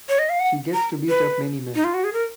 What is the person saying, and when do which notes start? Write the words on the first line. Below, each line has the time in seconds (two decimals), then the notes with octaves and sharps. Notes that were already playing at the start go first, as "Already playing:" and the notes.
She gets to beat up many men.
0.09 C#5
0.19 D#5
0.29 F5
0.40 F#5
0.74 A#5
1.09 B4
1.75 D#4
1.84 F4
1.94 F#4
2.04 G#4
2.13 A#4